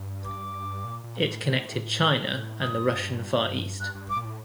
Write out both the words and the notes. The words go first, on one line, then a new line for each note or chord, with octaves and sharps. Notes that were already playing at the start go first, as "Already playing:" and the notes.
It connected China and the Russian Far East.
Already playing: G2
D6
A#2
A#2
A2
A2
G2 D#6
G2 F#6
G2
D6
A#2
A2